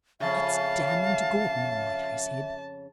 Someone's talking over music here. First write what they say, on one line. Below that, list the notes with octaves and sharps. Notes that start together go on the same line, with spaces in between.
"It's damning to Gordon, all right," I said.
F2 C#3 E5 F5 A5